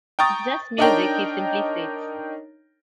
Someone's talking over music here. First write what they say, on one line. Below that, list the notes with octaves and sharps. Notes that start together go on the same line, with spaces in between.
"It's just music," he simply states.
G5 A#5 C#6 D#6 A6
D4 D#4 A#4 C#5 G5 A#5